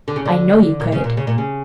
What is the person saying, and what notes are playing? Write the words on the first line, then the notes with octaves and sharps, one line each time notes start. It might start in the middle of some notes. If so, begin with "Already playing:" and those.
"I know you could."
D3
C#3
D3
A#2
C#3
A#2
C#3
A#2
C#3